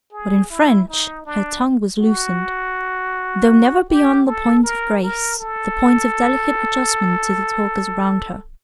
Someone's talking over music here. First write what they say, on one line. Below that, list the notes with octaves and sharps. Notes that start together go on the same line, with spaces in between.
But in French her tongue was loosened, though never beyond the point of grace, the point of delicate adjustment to the talkers round her.
G#4
E4
D#4
D4
F#4
G4
A4
A#4
A#4
A4